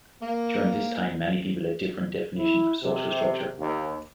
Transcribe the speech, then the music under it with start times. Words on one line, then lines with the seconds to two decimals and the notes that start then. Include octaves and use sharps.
During this time, many people had different definitions for social structure.
0.22 A#3
2.37 E4
2.82 C3
3.58 D#2